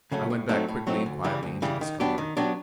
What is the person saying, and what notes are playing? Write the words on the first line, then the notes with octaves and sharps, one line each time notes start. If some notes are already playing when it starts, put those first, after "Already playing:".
I went back quickly and quietly into the scullery.
C#3 F#3 A3 C#4
A2
F#3 A3 C4 D#4
A2
F#3 A3 C4 D#4
D2
C#3 E3 G3
D2
C#3 E3 G3
D#3
F#3 B3 D4 G4
D#3
F#3 B3 D4 G4